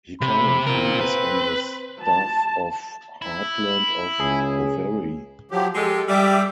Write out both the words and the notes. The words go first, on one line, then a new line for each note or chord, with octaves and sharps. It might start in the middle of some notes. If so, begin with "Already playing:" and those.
He currently is on the staff of Heartland of Owerri.
C3 B5
C4 F4 A#4
B4
A5
E4
C#2 G#4
F3 F#3 G4
G#3 G4 A4
G3 G4 E5 D6